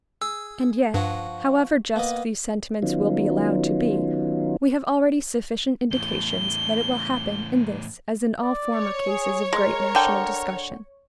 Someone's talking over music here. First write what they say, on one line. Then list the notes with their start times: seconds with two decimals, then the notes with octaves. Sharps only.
And yet, however just these sentiments will be allowed to be, we have already sufficient indications that it will happen in this as in all former cases of great national discussion.
0.22 G#4 E6
0.94 G2 F3 F#4
1.96 A#3 B3 D#5
2.82 D#3 F#3 B3 C#4 D#4 F4
5.91 E2 A2 G7
8.43 D5
8.75 C#5
9.08 G#4
9.53 G#3 A#4
9.95 D3 G5